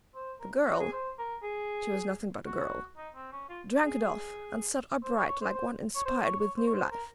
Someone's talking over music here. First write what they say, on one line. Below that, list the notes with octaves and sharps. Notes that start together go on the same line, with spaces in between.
The girl--she was nothing but a girl--drank it off and sat upright like one inspired with new life.
C5
A#4
F#4
G#4
C5
A#4
G#4
F#4
D#4
C4
C#4
F4
G#4
C5
C#5
C#5
C5
C5
C#5
C5
C#5
C#5
C5
C#5
C5
A#4